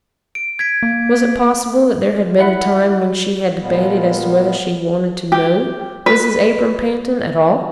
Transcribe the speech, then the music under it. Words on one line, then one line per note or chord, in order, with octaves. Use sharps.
Was it possible that there had been a time when she had debated as to whether she wanted to know Mrs. Abram Pantin at all?
D7
G#6 B6 D7
A#3
E4 F#5 B5
A#2 F3 G3 G#3 B3
G4
B4